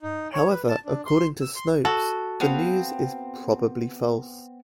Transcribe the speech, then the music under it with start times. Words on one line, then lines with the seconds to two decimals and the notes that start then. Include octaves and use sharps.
However, according to Snopes, the news is "probably false".
0.02 D#4
0.33 C#5
0.50 B4
0.68 A5
0.85 D4
1.06 C6
1.41 E6
1.56 C6
1.85 F#4 A4
2.40 B3 C4 F5